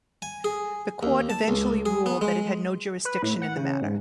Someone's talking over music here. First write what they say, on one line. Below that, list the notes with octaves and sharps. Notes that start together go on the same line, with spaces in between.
The court eventually ruled that it had no jurisdiction in the matter.
G#5
G#4
D#2
A5
C#2
G#4
B3
G#3
B4
A2
F#5
C#3
G#2